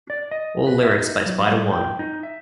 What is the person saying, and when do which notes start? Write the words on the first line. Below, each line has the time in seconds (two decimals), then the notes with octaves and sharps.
All lyrics by Spider One.
0.10 D5
0.31 D#5
0.67 B4
0.83 E5
0.95 D#4
1.26 F#3
1.48 G3
1.71 G5
1.99 D#4
2.23 E5